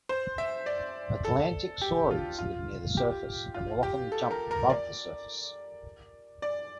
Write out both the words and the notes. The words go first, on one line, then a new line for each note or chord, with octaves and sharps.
Atlantic sauries live near the surface, and will often jump above the surface.
C5
E5
D5
A4
G4
F4
F4
G4
F4
G4
A4
A#4
A#4
D5
D5